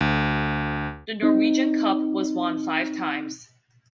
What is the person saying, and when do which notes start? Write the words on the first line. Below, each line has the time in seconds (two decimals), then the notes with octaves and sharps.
The Norwegian Cup was won five times.
0.01 D2
1.23 C4 D#4